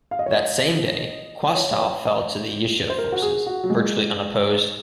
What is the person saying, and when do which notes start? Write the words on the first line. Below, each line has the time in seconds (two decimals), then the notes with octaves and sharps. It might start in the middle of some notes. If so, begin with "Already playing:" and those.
That same day, Qastal fell to the Yishuv forces, virtually unopposed.
0.11 F5
0.19 D#5
0.26 C#5
0.34 D#5
1.55 C#5
2.90 C5
2.98 A#4
3.12 F#4
3.22 G#4
3.46 F#4
3.64 F#3
3.70 G#3